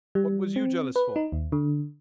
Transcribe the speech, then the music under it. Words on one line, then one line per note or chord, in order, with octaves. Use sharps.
What was you jealous for?
G3
C4
B4
D#4
D#2
D3